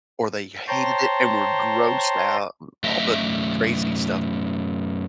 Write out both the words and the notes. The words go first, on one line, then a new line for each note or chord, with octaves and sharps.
or they hated it, and were grossed out, and all the crazy stuff
C5 C#5 G5 A5 A#5 C6
F#2 A3 D#5 E5